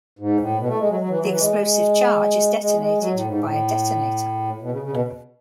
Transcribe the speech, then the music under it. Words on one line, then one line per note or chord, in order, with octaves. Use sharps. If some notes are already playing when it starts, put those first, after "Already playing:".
The explosive charge is detonated by a detonator.
G#2
A2
B2
A3
G#3
F#3
F#3
E3
F#3
E3
G#3
G#3
G#3
G#3
F#3
A2
G#2
A2
B2
C#3
C#3
B2